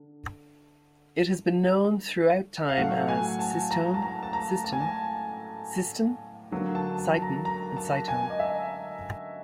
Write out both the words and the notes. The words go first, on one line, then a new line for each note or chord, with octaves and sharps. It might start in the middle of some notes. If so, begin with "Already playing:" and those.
It has been known throughout time as Sistone, Siston, Systun, Syton, and Sytone.
Already playing: D3
F5
A2 F#3 A3 F#5
G#5
A5
A#5
A5
A#5
A5
A#5
A5
G#5
A5
D3 F#3 A#3
A5
A5
A#5
A#5
A5
G#5
D#5
E5